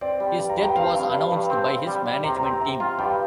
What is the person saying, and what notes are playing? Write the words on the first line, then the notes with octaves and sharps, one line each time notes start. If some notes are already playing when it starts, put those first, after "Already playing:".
His death was announced by his management team.
C4 D5
G3
G2
A#5
G2
G5
C4 F5
G2
G2
G2
C4
C4
G3
G3
C3 A#5
C4 A#5
C3
F4
G2 G5